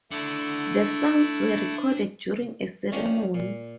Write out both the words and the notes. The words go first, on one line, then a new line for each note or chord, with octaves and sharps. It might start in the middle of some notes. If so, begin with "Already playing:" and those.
The songs were recorded during a ceremony.
A3 D4 E4 F#5
D#3 F3 C#4 D4
A#2